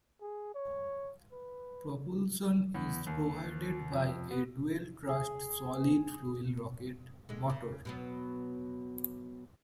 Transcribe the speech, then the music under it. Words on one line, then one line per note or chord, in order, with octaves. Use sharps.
Propulsion is provided by a dual-thrust solid fuel rocket motor.
G#4
C#5
B4
E2
D#2
F2
B3
G#4
D3 G#3
C#3
B2 F#3 B3